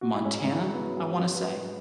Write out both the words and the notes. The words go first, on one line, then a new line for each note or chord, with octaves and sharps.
Montana, I wanna say,
F#4
E4
G#2 C#4
G#2
E4
F#3
B3
F#3
F#3 C#4
F#3
F#3 B4
G#2